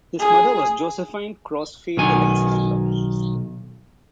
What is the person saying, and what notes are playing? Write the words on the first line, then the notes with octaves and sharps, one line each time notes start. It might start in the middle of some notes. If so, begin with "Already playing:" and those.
His mother was Josephine Crosfield Alexander.
G#4
B1 D#3 G#5